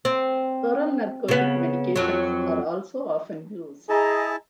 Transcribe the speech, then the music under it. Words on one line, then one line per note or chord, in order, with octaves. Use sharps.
Oral narcotic medications are also often used.
C4
C#3 B3
F2 F#3
E4 G#4 D#5 A5 A#5